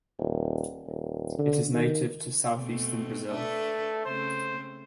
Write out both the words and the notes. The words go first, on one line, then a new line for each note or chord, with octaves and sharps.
It is native to southeastern Brazil.
D#1
D#1
D3
D#3
B2 A3 C4
A3 D4 A4 B4
C#3 A3 C4 C5